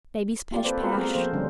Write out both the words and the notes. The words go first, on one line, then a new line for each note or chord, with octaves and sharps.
Baby's Pesh-Pash.
A#3 F4 G4 D5
C4 A4 B4 C5 D5
A#3 B3 F4 F#4 A#4
G#3 C4 G#4 A#4
F3 A#3 A4 C5
D3 G3 C#4 D4